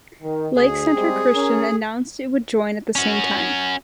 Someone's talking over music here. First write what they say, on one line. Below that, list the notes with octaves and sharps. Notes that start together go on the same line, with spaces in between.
Lake Center Christian announced it would join at the same time.
D#3
D2 G#4
G3 G#3 C4
C#4 A#4
C#4 F#4